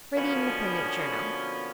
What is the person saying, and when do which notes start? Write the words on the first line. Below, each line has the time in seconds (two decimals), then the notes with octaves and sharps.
For the Independent Journal.
0.15 B2 D3 F3 A#3 B3 C#4